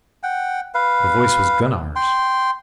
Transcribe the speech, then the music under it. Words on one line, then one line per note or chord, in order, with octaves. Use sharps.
The voice was Gunnar's.
F#5 G5
B4 F5
G5 C6